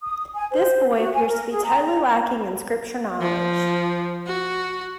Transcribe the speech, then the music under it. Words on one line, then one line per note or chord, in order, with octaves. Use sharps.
This boy appears to be totally lacking in Scripture knowledge.
D#6
G#5
C5
F#4
G#5
A#4
G#4
A#5
F3
F#4